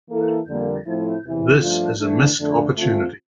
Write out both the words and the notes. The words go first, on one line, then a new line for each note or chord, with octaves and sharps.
This is a missed opportunity.
E3 A#3 E4 A4
F2 D3 G3 A#3
A2 F3 A3 C4 E4
E2 C3 E3
G2 F3 A3 D4 F4
E3 A3 D4
F2 D3 A3 D4
D3 A3 C4 F4